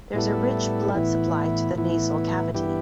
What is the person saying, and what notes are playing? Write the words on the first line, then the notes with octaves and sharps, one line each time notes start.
There is a rich blood supply to the nasal cavity.
A2 G3 B3 E4 A4
A2 E3 B3 E4
A2 E3 B3 E4
G2 E3 B3 E4 G4